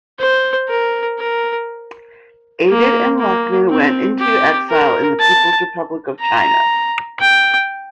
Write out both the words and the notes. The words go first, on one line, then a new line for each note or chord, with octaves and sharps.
Aidit and Lukman went into exile in the People's Republic of China.
C5
A#4
A#4
A#3
A#3
C4
G4
A#4
A5
A#5
G5